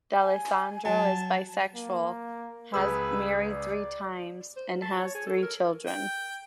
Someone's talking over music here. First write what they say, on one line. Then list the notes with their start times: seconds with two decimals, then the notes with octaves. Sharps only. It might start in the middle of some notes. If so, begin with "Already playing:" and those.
Dallesandro is bisexual, has married three times, and has three children.
0.20 G#5
0.85 F#3 A5
1.76 A#3
2.74 C#2 G#4 B4 E6
3.50 D5
4.56 C5
4.70 F3
4.82 A5
4.99 C#5
5.15 G#4
5.27 A4
5.42 A#4
5.87 G5